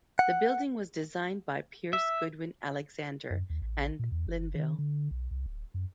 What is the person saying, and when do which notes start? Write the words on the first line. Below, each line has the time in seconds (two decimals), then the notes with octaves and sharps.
The building was designed by Pierce Goodwin Alexander and Linville.
0.19 F#5
1.93 E5
3.30 F#2
3.50 D#2
3.62 A1
3.99 A#2
4.12 E2
4.27 F#1
4.55 D#3
4.78 D3
5.11 B1
5.31 C2
5.46 D1
5.74 F#2